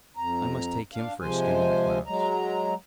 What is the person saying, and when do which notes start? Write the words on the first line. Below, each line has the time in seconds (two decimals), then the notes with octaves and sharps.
I must take him for a skim in the clouds.
0.17 F2 A#5
0.94 D4 F5
1.21 C3 F3 G#3 C5 G#5
2.06 F#3 G#3 A#5